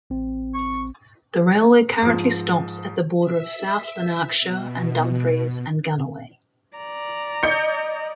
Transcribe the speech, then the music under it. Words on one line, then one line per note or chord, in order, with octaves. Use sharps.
The railway currently stops at the border of South Lanarkshire and Dumfries and Galloway.
A1 C4
C#6
G#2 F3
E5
B2
D5 A#5
D#5 G6 C#7